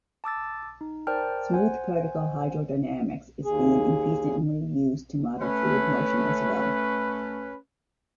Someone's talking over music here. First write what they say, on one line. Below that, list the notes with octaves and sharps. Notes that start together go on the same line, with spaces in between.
Smoothed-particle hydrodynamics is being increasingly used to model fluid motion as well.
A5 D6 E6 A6
D#4
A#4 C5 D5 G5 A5 F6
C5 F#5 G#5
D#2 G#4
A3 C#4 B4